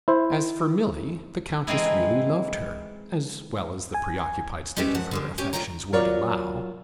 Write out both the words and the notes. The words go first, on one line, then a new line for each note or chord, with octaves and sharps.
As for Milly, the Countess really loved her as well as the preoccupied state of her affections would allow.
E4 C5
E3 G#3 C4 D#4 E4
G#5
G3 G#3 C#4 G4 B4 E5
F#2 F3 F#5
D3 G3 G#3
C#4 G4 C#5 G#5
D2 A#2 F4 C#5 G5 A#5
F#3 F4 A#4 C#5 D5